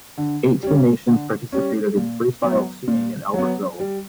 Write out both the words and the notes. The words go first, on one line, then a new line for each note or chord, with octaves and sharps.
Eighteen nations participated in freestyle skiing at Albertville.
D3
G3 C#4
D3
G3 C#4
A#2
F#3 B3
A#2
F#3
B3
G3